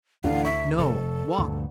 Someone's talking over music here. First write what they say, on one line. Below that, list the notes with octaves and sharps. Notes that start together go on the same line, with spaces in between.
No. Walk.
A1 D2 D3 F5 F#5
E5 C#6
F1 A4
D2 G2 A#2